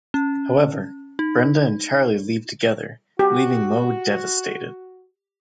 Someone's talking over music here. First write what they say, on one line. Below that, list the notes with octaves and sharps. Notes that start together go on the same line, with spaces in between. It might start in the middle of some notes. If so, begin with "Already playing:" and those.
However, Brenda and Charlie leave together, leaving Mo devastated.
C#4
D#4
F#4 G4